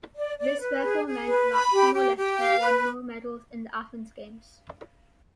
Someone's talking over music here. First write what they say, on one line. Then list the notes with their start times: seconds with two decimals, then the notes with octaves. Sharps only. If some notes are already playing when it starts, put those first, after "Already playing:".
This therefore meant that Timor-Leste won no medals in the Athens Games.
0.16 D5
0.38 D5
0.60 B4
0.82 G#4
1.05 G#4
1.27 B4
1.50 B5
1.72 G4
1.94 G4
2.16 G4
2.38 F5
2.60 B4